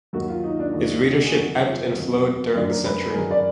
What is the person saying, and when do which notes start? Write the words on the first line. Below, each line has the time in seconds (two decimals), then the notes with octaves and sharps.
Its readership ebbed and flowed during the century.
0.13 D#2 D#3 F#3 F#4
0.28 F4
0.44 D#4
0.59 D4
0.73 D#2 D#3 F#3 D#4
1.23 G#4
1.34 F2 D#3 F#3 F#4
1.64 F4
1.94 F2 D#3 F#3
2.55 F#2 D#3 F#3 D4
2.70 A#4
2.85 B4
3.10 G#4
3.14 F#2 D#3 F#3 A#4
3.31 D5